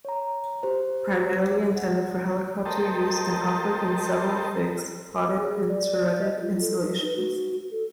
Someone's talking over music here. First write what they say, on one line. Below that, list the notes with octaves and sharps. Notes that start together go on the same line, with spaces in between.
Primarily intended for helicopter use and offered in several fixed, podded, and turreted installations.
C#5 A#5
G4 C5 A#5
F#5
G4 A4 A#4 C5 D#5 A5
G#4
D5
D#5
F4
A4
D#4
B4
F#4
A4